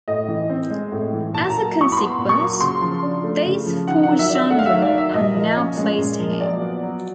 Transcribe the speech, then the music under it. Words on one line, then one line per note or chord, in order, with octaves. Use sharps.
As a consequence, these four genera are now placed here.
A2 D#5
E3
C4
G#3
A2
E3
A#2 A5
A#5
F#3
E4 C#6
B5
B3 C6
A#2
C#6
F#3
C#3 C6
F3
D4
A3
C#3
F3
D#3 F#5
F#5
F#3
E5
D4
E5
A3 F#5
F5
E5
D#3
D5
F#3 E5
A#2 D#5
F3
C#4
G#3
A#2
F3
F#3 D5
B3
F#3